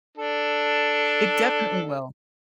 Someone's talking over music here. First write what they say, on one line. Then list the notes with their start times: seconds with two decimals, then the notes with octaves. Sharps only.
It definitely will.
0.18 D4 A4